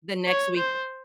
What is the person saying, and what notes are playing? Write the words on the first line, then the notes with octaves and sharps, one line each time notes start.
The next week
C#5
C5